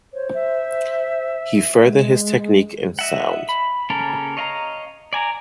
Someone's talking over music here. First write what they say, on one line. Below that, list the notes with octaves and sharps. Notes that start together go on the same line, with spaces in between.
He furthered his technique and sound.
C5 C#5
E5
G#3
D#5 E5 F#5
B5
C#3 A#3 C#4 A4 A#4
C#5 D#5 F5 G5 A#5
D5 G#5 A#5